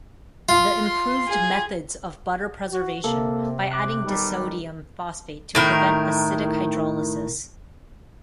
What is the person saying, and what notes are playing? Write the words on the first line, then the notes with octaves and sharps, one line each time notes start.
The improved methods of butter preservation, by adding disodium phosphate to prevent acidic hydrolysis.
F4
C6
G#4
F#4
C3 A#3 A4
D6 F#6
B1 D#3 G3
A2 D#3 A#4